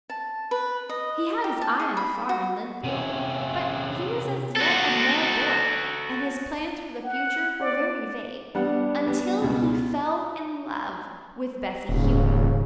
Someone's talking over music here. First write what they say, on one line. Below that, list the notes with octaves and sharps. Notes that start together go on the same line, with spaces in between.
He had his eye on a farm in Lynnfield, but he was as yet a mere boy, and his plans for the future were very vague until he fell in love with Bessy Houghton.
A5
B4
D#5
G4
A5
G#4
B5
F#4
C3 C#4
F#4 A4
F#5
D5
G3 B3 D4 F#5
G3 B3
C#2 B2 F#4
D#1 G#2 C#3